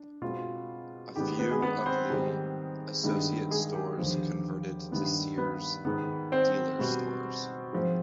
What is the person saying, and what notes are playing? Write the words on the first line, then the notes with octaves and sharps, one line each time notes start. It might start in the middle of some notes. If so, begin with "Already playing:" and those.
A few of the associate stores converted to Sears Dealer stores.
Already playing: D4
B2 G#3 C4 F4
G#2 D#3 G#3 B3 G4
B3 B4
G#3 G#4
B3 B4
C4 C5
G#2 D#3 G3 C4
G2 D#3 G#3 B3
G#3 G#4
G4
D#2 D3 F3 B3
G2 D#3 B3
B3 B4
G#2 D#3 B3
C4 C5
B2 G3 B3
G#2 F3 C4